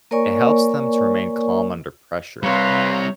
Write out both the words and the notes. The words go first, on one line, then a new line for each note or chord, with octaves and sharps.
it helps them to remain calm under pressure,
A#3 A#4 C#5 D5 G#5 C#6
C3 G3 C4 B4 C#5 F5 A#5 C6